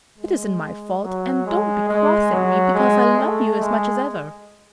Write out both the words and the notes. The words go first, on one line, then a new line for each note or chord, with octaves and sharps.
It isn't my fault and don't be cross at me, because I love you as much as ever.
G#3
F#3
G#3
G#3
F#3
G#3
A3
G#3